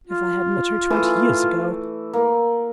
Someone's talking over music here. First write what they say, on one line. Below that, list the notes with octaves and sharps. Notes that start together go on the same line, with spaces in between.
If I had met her twenty years ago!
F4
E3 A3
A#3